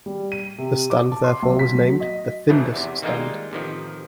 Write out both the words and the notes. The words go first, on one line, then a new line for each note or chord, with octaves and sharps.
The stand therefore was named the "Findus Stand".
G3
D#7
C3
D6
A5
C6
B1
B6
F#3
D#5
A#1 G#2 B2 D#3 E3 A3
E2 C3
D#3 G3 G#3 A#3 D#4 F4
A1 C3 D#3 F3